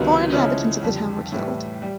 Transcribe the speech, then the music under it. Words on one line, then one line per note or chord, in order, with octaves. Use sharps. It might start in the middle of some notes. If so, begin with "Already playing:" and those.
Four inhabitants of the town were killed.
Already playing: C#2 C3 D#3 F#3 B3
C#3 F3 G#3 C#4 E4
F2 D3 G3
A2 E3 G3
G3